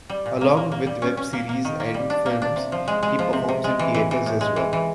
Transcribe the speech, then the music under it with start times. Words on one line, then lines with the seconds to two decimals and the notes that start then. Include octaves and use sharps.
Along with web series and films he performs in theaters as well.
0.09 G3
0.26 A#2
0.41 A#3
0.57 A#3
0.72 A#3
0.87 G3
1.02 C#4
1.17 C#4
1.33 A#3
1.49 A#3
1.65 D#3
1.80 A#3
1.94 G3
2.10 D4
2.26 A#3
2.42 D4
2.56 C3
2.72 F3
2.88 G#3
3.03 G#3
3.19 F3
3.33 C3
3.48 C3
3.64 G#3
3.79 E3
3.95 E3
4.11 E3
4.26 A2
4.41 G#3
4.56 E3
4.73 E3